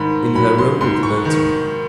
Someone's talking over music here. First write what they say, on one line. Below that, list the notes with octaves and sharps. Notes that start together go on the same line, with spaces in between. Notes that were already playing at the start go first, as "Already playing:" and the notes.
"In her room with the notary."
Already playing: G#2 D#3 B5
F#3 B5
C6
G#2 C6
C#6
D#3